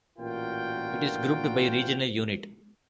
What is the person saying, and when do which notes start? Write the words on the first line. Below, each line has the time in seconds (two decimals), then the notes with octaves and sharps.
It is grouped by regional unit.
0.18 A1 A#2 F4 F#4 A#4 G5